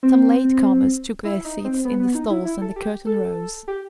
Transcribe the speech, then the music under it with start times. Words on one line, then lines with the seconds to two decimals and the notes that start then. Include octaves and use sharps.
Some latecomers took their seats in the stalls, and the curtain rose.
0.03 C4
1.25 E4
1.45 D#4
1.65 C4
1.85 B3
2.00 B3
2.15 D#4
2.30 E4
2.45 E4
2.62 A4
2.76 G4
3.06 A4
3.68 G4